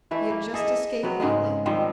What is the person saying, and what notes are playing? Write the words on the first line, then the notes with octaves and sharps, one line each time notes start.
He had just escaped neatly.
E3 A3 E4
A#3
G#4 A4 D#5 E5
C3 F#3 B3
G#2 C#3 G#3
D#3 F3 G3 C4